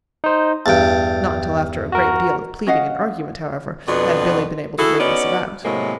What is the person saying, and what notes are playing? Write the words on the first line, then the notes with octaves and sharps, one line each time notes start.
Not until after a great deal of pleading and argument, however, had Billy been able to bring this about.
D#4 C5
E2 G2 G5 A6
F#4 A#4
C#4 D#5 F5 F#5
F2 B2 D4 F#4 B4
E4 F#4 G#4 A4
B3 C#4 D#4 F#4 D5
A2 C3 F#3 G#3 A#3